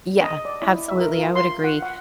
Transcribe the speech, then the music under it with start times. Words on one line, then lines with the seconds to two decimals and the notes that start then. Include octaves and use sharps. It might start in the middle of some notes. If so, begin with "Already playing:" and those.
Yeah. Absolutely. I would agree.
0.24 D#5
0.45 D5
0.62 E4
0.88 E5
1.00 A#4
1.18 F4
1.35 C6
1.64 F#5
1.82 F#5